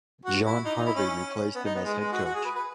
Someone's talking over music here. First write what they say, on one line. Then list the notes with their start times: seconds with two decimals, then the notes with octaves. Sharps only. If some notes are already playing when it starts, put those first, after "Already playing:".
John Harvey replaced him as head coach.
0.25 F#4
0.45 E4
0.65 D#4
0.75 D#4
0.86 E4
0.95 C#4
1.55 B3
1.65 D#4
1.75 B3
1.85 G#3
1.99 G#3
2.12 F#4
2.25 F#4
2.35 G#4
2.45 B4
2.55 B4